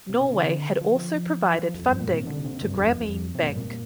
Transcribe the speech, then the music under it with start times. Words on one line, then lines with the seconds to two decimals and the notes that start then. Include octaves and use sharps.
Norway had also provided funding to Grameen Bank.
0.09 C3
0.21 C3
0.33 D3
0.81 F3
1.54 F3
1.75 F2
1.88 G2
2.00 A#2
2.13 C3
2.27 D3
2.45 C3
2.62 G2
2.75 F2
3.01 F2
3.35 C3
3.43 A#2
3.49 G2
3.57 A#2